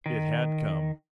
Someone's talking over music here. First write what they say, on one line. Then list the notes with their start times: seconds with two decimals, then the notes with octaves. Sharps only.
It had come!
0.06 D#3